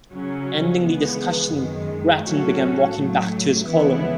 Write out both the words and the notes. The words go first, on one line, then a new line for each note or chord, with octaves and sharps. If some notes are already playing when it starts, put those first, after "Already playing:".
Ending the discussion, Grattan began walking back to his column.
C#3 F#3 C#4
C#2 C#3 E3 G#3 B3
F#2 D#3 G#3
A2 F#3 C#4 F#4 A4
A2 F#3 A3
C#2 C#3 E3 B3 E4